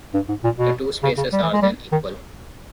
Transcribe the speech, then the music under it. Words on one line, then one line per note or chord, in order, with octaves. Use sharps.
The two spaces are then equal.
G2
G#2
A#2
B2
C#3
C#3
G3
E3
G#3
G3
D#3